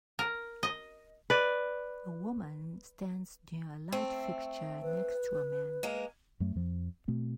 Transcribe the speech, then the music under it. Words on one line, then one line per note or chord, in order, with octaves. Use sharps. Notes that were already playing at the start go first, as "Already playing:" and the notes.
A woman stands near a light fixture next to a man.
A#4
D#5
B4 D5
A3 C4
B4
G#3 A#3 A#4
F#2 F#3 A3
F2 F3
B2 A3 C4